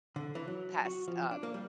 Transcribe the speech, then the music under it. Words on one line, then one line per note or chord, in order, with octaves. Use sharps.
past, uh,
D3
E3
F#3
F#4
F3
D4
A#3
G3